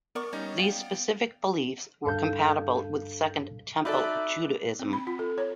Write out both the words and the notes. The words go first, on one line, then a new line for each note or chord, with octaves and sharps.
These specific beliefs were compatible with Second Temple Judaism.
B3 A#4 D5 C#6
G3 C#4 D#4 C#5
D5 F5 G5
D2 G2 D4 A4 F5 G6
D#4 F#4 A4 D5 E5 B5 D6 F#6
C4
B5
F4
A4
C#5